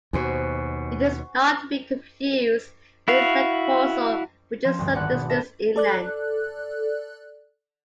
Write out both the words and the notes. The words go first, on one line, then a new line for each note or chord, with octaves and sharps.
It is not to be confused with Lake Poso, which is some distance inland.
D#2 B2 F#4 C5 G#5
E4 F#4 F5
F3 C4
D2 G2
G#1 B3 D4 F#5 B5 F#6
B2
A#4 E5 A5 A#6
A4 D5 F#6